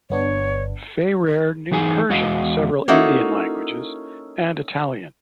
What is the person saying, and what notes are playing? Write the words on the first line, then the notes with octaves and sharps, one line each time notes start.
Fayrer knew Persian, several Indian languages and Italian.
G1 B3 D4 C#5
E3 D#4 G#4 G#5
E2 G#3 F#4 D#5 F5
A#3 C#4 D#4 E4 F#4 A4